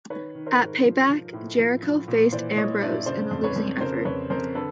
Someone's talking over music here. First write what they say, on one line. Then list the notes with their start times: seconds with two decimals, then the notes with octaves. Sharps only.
At Payback, Jericho faced Ambrose in a losing effort.
0.10 D#3 B4 C#5
0.35 D#3
0.46 A#4 C5
0.59 G#2
0.84 F3
1.09 F3
1.33 A2
1.58 F3
1.83 F3
2.08 A#2
2.32 E3 C5 D5
2.57 E3 C#5 D#5
2.81 G2 D5 E5
3.06 C#3 C5 D5
3.31 F2
3.44 B4 C#5
3.56 F2
3.81 C#3 A#4 C5
4.05 F2 B4 C#5
4.30 F2 A#4 C5
4.55 D3 A4 B4